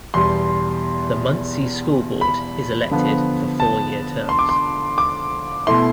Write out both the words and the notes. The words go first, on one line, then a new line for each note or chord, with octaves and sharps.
The Muncy School Board is elected for four year terms.
E2 B2 G3 C6
B5
D3 F3 B3
A5
C6
D6
C6
D6
B2 A3 E4 C6